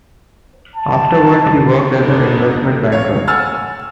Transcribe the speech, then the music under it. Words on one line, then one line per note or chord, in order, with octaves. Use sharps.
Afterwards, he worked as an investment banker.
A5
B3 D4 D#4 A4 A#4
C#5 F5
F#5 G#5 E6 F6 A6